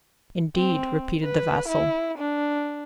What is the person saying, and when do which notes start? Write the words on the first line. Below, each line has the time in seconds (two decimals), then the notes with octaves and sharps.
"Indeed;" repeated the vassal.
0.56 C4
1.23 B4
1.68 E4
2.18 D4